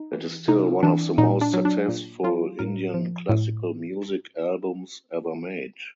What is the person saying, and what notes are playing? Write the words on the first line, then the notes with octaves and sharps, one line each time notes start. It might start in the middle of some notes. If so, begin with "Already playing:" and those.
It is still one of the most successful Indian classical music albums ever made.
Already playing: D#4
E3
C3 D#4
E3 D4
A#2 D#4
D4
F#3
D4
A#2
F#3 F4
A2 A#4
F3
A2